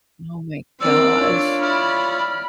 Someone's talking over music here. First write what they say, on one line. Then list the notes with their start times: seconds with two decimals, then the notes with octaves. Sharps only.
Oh my gosh.
0.80 C4 A#4 D5 E6
1.20 D4 F4 C#5
1.61 E4 D5 B5 F6